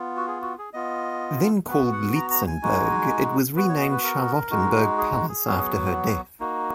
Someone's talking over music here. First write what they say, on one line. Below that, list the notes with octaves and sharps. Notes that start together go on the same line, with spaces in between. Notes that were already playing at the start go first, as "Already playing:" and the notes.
Then called "Lietzenburg", it was renamed Charlottenburg Palace after her death.
Already playing: B3 F4
F#4
G#4
F#4
G#4
B3 F4 D#5
B3 F#4 B4
F#5
A#5
A#5
G#5
G#3 D#4 F#4
B3 F#4 B4
C#5
D#5
B4
A#4
G#3 D#4 F#4
G#4
G#4
F#3 B3 F#4
A#3 D#4 F#4